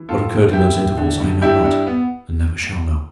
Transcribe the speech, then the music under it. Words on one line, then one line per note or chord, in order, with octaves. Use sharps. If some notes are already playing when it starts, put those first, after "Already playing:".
What occurred in those intervals I know not, and never shall know.
Already playing: E3
A2 F4 A4
E3
E3 E4 G4
A2
D3
G2
G2 E4 G4
G2
B3